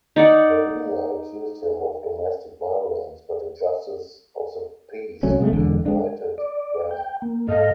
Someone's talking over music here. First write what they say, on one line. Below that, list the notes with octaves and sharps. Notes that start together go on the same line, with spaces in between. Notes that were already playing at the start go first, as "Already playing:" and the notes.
Marina accused him of domestic violence, but a justice of the peace reunited them.
D#4 D5 F#5
C2 F#3 A3 C#4
C3 G#3 A3
E1 E2 D3 G#3
G#3 D4
D5
G5
A#3
G#2 A4 D#5 F5